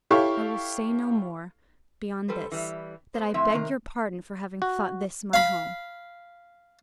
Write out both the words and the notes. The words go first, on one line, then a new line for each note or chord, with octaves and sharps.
I will say no more--beyond this, that I beg your pardon for having thought this my home.
E4 G4 A4 C#5 F5 C#6
G3 A4 B4 C5
E3 G3
B3 C5
F2 A2 C4 E5
C3 D#3 A#4
F#4
F5 B5